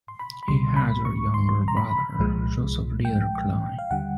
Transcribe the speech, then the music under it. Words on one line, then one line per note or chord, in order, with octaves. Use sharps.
He had a younger brother, Joseph Leander Cline.
C6
B5
B5
C#2 B2 G3 C6
B5
C#6
C6
A#5
B5
C2 A#2 F3 G#3
G5
F5
D#2 D3 G3 F#5